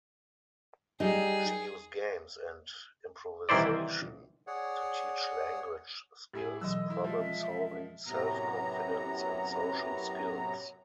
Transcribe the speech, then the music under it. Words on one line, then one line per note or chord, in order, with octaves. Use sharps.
She used games and improvisation to teach language skills, problem-solving, self-confidence and social skills.
G3 D#4 G#4
C2 D#3 E3 E4 C5 D5
G#4 C#5 D5 F#5
A2 E4 G4 G#4
B2 E3 F#3 D#5 E6
E4
F3 G#3 E5
F#2 A2 C3 F#3 B3 A#5